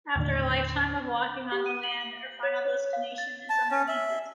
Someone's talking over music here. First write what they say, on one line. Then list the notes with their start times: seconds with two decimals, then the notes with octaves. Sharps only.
After a lifetime of walking on the land, our final destination is underneath it.
0.16 D#2 A2 D3 D4
1.52 G4
1.66 D#7
1.83 F#7
2.43 C#5
2.65 C#5
2.93 F5
3.18 A6
3.50 A5
3.71 C#4
3.88 E5